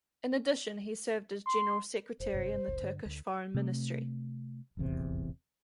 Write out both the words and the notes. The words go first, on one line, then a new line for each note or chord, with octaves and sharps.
In addition he served as General Secretary in the Turkish Foreign Ministry.
C6
F1 C5
F#1 G2 C3
F#1 C#2
G2 D3
D2
C3 A3 C4
D#1 A1 E2 C3